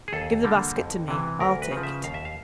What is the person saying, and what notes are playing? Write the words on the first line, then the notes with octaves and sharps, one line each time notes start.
'Give the basket to me,--I'll take it.'
G#4
D#2 A4
D3 G3 A#3
F2
C3 E3
D2 A#4
B4
C#3 F3
E5
D#2 F5
E5
F5